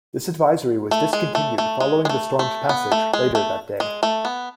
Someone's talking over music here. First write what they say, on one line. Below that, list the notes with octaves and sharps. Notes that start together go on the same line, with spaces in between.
This advisory was discontinued following the storms' passage later that day.
A3
G#3
A3
A3
G#3
G#3
A3
A3
B3
A3
G#3
A3
G#3
A3
B3